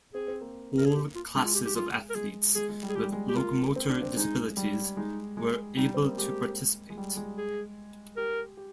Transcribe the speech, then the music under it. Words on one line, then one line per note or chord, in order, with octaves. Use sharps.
All classes of athletes with locomotor disabilities were able to participate.
C4 G#4
C4
A#3
A#4
G#4
G4
F4
G#3 D4
F4
G4
G4
G#3 F4
A#4
G#3 G#4
G#3 G#4
G#3
G3
G#4
G#3 G4
G3
G#3
G4
A#3 F4
C4
D4
C4
G#3 D#4
G3
G#3 D#4
G#3
G3 D#4
C4
A#3
G#3 G4
G#3
G3
G#3
G#4
G4 A#4
G4